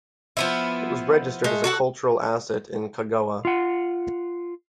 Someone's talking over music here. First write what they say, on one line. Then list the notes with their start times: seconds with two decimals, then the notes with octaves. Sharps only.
It is registered as a cultural asset in Kagawa.
0.37 F3 B3 E4
1.44 G#3 A3
1.64 F#4 A4 F#5
3.45 F4 F#5